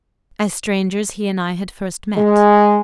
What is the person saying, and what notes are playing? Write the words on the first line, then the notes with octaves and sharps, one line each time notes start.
As strangers he and I had first met.
G#3